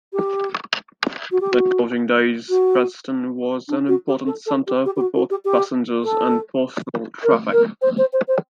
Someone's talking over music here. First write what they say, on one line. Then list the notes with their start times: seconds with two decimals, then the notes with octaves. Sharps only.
In coaching days, Preston was an important centre for both passenger and postal traffic.
0.13 G4
1.31 F#4
1.40 G4
1.51 F#4
2.49 F#4
3.68 D4
3.88 F#4
4.07 G4
4.26 A4
4.46 A4
4.67 G4
4.85 G4
4.96 G4
5.00 F#4
5.15 F#4
5.30 G4
5.44 G4
6.04 A4
7.23 A#4
7.52 A#4
7.81 C5
7.97 C5
8.13 C5
8.27 C5